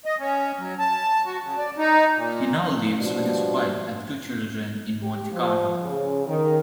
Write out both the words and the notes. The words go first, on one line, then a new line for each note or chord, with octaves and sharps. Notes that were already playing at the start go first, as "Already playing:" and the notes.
He now lives with his wife and two children in Monte Carlo.
D#5
C#4
F#3
A5
F#4
C#3
D5
D#4
A#2
B2 F3 G3 D4
G4
F3
C#3
D#3